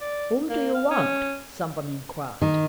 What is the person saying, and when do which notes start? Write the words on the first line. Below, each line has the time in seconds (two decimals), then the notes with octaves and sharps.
"Whom do you want?" someone inquired.
0.01 D5
0.50 A#3
0.74 F5
0.91 C#4
2.42 D#3